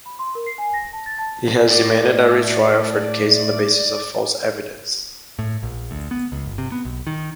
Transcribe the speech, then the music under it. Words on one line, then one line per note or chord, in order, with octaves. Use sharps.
He has demanded a retrial for the case on the basis of false evidence.
B5
C6
A#4
C7
G#5
A#6
A5
A6
A5
A2 D5
A2
A#1
D2
B3
C#2
G1
C3
B3
B1
D#3